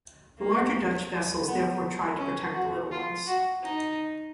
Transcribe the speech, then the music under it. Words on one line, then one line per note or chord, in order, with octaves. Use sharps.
The larger Dutch vessels therefore tried to protect the little ones.
A#3
B3
C#4
F#4
F4
F#4
D#4